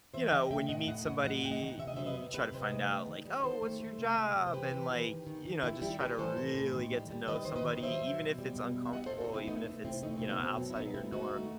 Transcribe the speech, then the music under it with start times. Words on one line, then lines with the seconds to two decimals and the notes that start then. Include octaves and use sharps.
you know, when you meet somebody, y you try to find out like, "Oh, what's your job?" And, like, you know, just try to really get to know somebody even if it's uncomfortable, even if it's, you know, outside of your norm.
0.14 E3 C5 E5
0.28 G5
0.32 C3 D#5 F#5
0.50 A3 E5 G5
0.69 A2 D#5 F#5
0.87 A2 D#5 F#5
1.05 A2 D#5 F#5
1.24 F#3 D#5 F#5
1.42 A3 G5
1.51 D#5 F#5
1.61 D#3
1.79 C3 E5
1.87 D#5
1.96 F#3 C5 E5
2.06 B4 D#5
2.16 C3
2.34 C3 G4 B4
2.52 C3 C5
2.61 B4 D#5
2.71 A3
2.89 G3
3.07 D#3
3.25 G3
3.40 D#5
3.43 D#3 A4 C5
3.62 A3
3.81 A3
3.98 C3
4.17 C3
4.36 C3
4.47 C5
4.53 E3 G4 B4
4.72 E3
4.90 E3
5.09 D#3
5.27 D#3
5.45 D#3
5.63 D#3 E4 G4
5.82 G3 E4 G4
6.00 G3 G4 B4
6.18 E3 A4 C5
6.36 A2
6.55 A2
6.73 D#3
6.92 G3
7.10 G3
7.28 D#3 B4 D#5
7.45 D#3 C5
7.56 B4 D#5
7.65 D#3
7.77 D#5
7.83 F#3 C5 E5
8.02 F#3
8.20 B2
8.38 G3
8.56 B2
8.75 G3
8.85 E5
8.93 G3 D#5 F#5
9.06 A4 C5
9.11 B2
9.20 F#4 A4
9.30 B2 C4 E4
9.48 A3 B3 D#4
9.66 A3
9.85 C3 C4 E4
10.03 A3 B3 D#4
10.16 C4
10.21 B2
10.30 B3 D#4
10.39 B2 C4
10.58 F#3 C4
10.70 E4
10.76 B2 B3 D#4
10.94 A3 C4 E4
11.12 D#3 D#4 F#4
11.31 A3